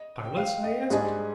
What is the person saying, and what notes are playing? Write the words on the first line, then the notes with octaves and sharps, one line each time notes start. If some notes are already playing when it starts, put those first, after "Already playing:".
"Pilots?" I asked.
Already playing: D#5
G5
F5
D#5
G#2 G3 D4 G#4 D#5